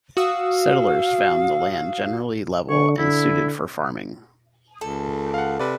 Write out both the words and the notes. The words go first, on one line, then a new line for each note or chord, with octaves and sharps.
Settlers found the land generally level and suited for farming.
F#4 F5 D#6 E6
D3 C#6
D3 E4
C#2 A4
F5 F#5
C3 B4 D5